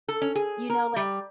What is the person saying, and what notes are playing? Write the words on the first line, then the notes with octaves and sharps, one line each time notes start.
You know, like
A4
C#4
G#4
A#4
G3